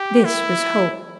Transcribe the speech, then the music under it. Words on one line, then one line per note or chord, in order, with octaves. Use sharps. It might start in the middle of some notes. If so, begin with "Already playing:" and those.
This was Hope.
Already playing: G4
E4